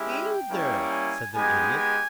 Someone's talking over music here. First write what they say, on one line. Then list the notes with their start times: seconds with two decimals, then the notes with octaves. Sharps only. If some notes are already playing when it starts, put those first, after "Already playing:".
"Either," said the Idiot.
Already playing: G#3 C#4 E4 G4
0.08 G5
0.50 G3 A#3 C#4 E4
0.92 G#5
1.35 G#3 B3 D#4 G4 G#5
1.77 G#5